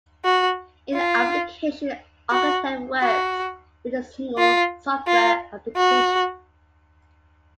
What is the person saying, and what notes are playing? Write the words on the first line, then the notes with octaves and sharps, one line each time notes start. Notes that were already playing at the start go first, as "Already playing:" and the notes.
An application architect works with a single software application.
F#4
F4
F#4
F#4
F4
F4
F#4